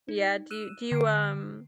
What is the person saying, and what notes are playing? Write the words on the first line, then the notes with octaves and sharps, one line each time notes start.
Yeah. Do you do you, um
D#4
E6 F#6 D#7 E7
D3 C7 D7